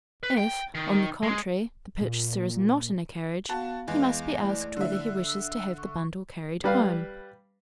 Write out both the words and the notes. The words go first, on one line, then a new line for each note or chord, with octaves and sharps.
If, on the contrary, the purchaser is not in a carriage, he must be asked whether he wishes to have the bundle carried home.
B4
G5
D#3
G#3
A#2
B3 F#4 F5 A5
E2 G#3
A3 E4 D5
D3 E5
E6
C#6
G3 B4 F5